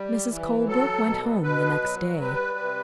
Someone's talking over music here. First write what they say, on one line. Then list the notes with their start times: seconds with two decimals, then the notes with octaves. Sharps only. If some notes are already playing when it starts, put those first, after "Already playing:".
Mrs. Colebrook went home the next day.
Already playing: G3
0.29 E3
0.66 F#3 A4
1.05 B2
1.43 B2 B4
1.82 F#3
2.20 G3 B4
2.58 C3